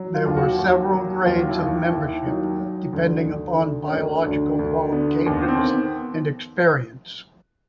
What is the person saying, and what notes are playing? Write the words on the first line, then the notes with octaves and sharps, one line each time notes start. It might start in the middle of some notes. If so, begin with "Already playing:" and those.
There were several grades of membership, depending upon biological qualifications and experience.
Already playing: F#3
F4
D#2 F4
F#4
D#2 F#4
F#3
F#4
D#2 F4
E4
D#2 D#4
D#2 E4
F#3 D#4
F#3
D2
D2
D3
C#4
D2 D4
D2
D2
D3 B3
D#2 B3
C4
D#3
B3